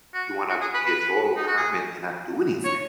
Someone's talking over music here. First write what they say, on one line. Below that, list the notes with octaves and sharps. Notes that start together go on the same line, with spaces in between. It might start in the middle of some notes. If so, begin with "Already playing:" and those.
you wanna be a total hermit and not do anything.
F#4
F#4
G#4
B4
B4
D#4
F#4
G#4
C#5